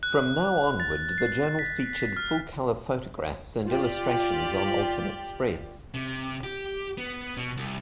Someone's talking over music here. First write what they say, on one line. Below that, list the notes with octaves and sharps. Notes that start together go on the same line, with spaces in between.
From now onward the journal featured full-colour photographs and illustrations on alternate spreads.
F#6
A6
C7
B6
F6
F4 G4 D5
C3
G4
B3
B2
C2